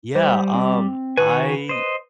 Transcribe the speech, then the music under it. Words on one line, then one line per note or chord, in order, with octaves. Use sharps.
yeah, um, I
G3 C5
C4
D#3 F#4 B4 G#5
C5 D#5